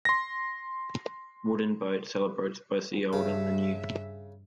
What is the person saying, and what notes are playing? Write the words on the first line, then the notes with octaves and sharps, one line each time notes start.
"WoodenBoat" celebrates both the old and the new.
C6 A#6
G2 C#3 E5